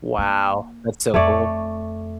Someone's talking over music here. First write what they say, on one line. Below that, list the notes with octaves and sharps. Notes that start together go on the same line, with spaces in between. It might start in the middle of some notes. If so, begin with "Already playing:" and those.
Wow. That's so cool.
A#3
F2 A3 C#5 D5